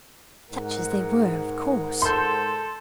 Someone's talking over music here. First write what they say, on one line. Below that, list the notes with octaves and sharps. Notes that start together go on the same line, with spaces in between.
"Such as they were, of course."
G#2 A#4 F#5
A4 C6 G6